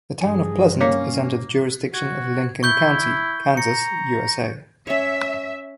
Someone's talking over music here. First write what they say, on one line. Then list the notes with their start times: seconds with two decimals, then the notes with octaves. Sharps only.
The town of Pleasent is under the jurisdiction of Lincoln County, Kansas, USA.
0.21 G2 G#4 G#5
0.81 A#3 C#4 C#5 B6 C#7
1.94 F#4 G#6
2.63 E4 C#6 G6 G7
3.57 A#5 C#7
4.87 C#4 C#5 E5